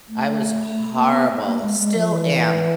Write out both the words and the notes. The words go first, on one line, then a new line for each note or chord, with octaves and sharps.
I was horrible still am.
A3
A#3
B3
A#3
G#3
G#3
F3
E3